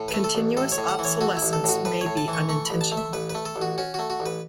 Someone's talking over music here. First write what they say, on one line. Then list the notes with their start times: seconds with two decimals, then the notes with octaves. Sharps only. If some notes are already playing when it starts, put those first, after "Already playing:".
Continuous obsolescence may be unintentional.
Already playing: A2
0.08 B4
0.14 A3
0.24 A4
0.35 A1
0.57 A2 A4
0.72 C#5
0.78 A2
0.88 F#5
0.99 E3
1.05 C#5
1.21 A3 F#4
1.37 E4
1.42 A1
1.53 A4
1.64 A2 F#4
1.85 A2 B4
2.01 C#5
2.06 A2
2.17 A5
2.28 E3
2.33 C#6
2.49 A3 C#6
2.65 A1 B5
2.81 A5
2.92 A3
2.97 E5
3.13 A1 B4
3.30 B4
3.35 A3
3.45 A4
3.56 A1
3.62 F#4
3.78 C#4 F#4
3.94 A3 F#4
4.10 F#4
4.20 A1
4.26 B4